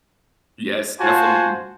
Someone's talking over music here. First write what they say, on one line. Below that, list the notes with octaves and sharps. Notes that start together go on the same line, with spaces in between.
Yes, definitely.
F4 F#4 C5 G#5 A5